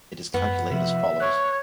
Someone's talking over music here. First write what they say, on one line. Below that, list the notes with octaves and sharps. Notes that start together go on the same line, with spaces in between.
It is calculated as follows.
F#2 B3
C3 F3 E5
C#5 F#6